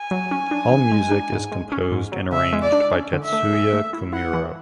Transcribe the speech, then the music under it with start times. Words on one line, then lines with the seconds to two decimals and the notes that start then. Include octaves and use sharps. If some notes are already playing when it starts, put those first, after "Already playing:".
All music is composed and arranged by Tetsuya Komuro.
Already playing: G#5
0.11 F#3
0.31 C#4
0.51 D4
0.71 E3
0.91 G#3
1.11 D4
1.32 G#2
1.52 G#3
1.72 C#4
1.92 G#2
2.12 F#3
2.32 C#3 E5
2.53 G#3
2.62 D5
2.72 D4
2.92 C#4
3.13 D3
3.23 E5
3.32 A3
3.53 G#4
3.73 A3
3.93 E4
4.13 E4 F#5
4.33 E3